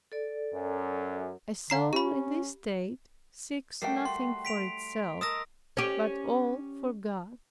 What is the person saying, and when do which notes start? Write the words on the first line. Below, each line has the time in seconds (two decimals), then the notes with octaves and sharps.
A soul in this state seeks nothing for itself, but all for God.
0.12 A4 D5
0.51 F#2
1.70 D3 F5 A#5 C7
1.93 C#4 G4 B5
3.82 G3 A3 F#4 A#4 G5 C7
4.05 C6
4.45 B6 D7 F7
5.21 A#4 D#5 A5 D#6 E6 A#6
5.77 C#4 G4